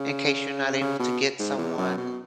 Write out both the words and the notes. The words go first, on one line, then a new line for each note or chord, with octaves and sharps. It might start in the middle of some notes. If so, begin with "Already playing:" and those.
in case you're not able to get someone
Already playing: C#3
C#3
B2
G#2
E2
F#2
B2